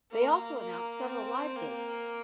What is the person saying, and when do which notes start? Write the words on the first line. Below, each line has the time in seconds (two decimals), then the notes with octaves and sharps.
They also announced several live dates.
0.11 A#3
0.59 A#3
1.08 C4
1.56 A#3